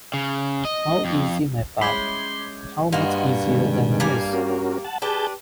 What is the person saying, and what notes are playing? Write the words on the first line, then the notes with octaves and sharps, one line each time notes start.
How easy my path, how much easier than his!
C#3
D#5
F2
G#3 C#4 E4 B5 C6 D6 G6 G#6
G2 A#3 F#4 D#5 F#5 C6
C3 D#3 G#3
G3 A#3 G#5
C#4 F#4 A#4
F#5 A5
D4 G4 G#4 B4 A5 G6